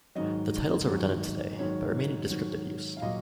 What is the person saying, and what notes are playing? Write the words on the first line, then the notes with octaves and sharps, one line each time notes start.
The titles are redundant today but remain in descriptive use.
G#2 D#3 F#3 D#5
G#2 D#3 F#3
G#2 D#3 F#3 C#5
G#2 D#3 F#3
F5
A#2 F#3 D#5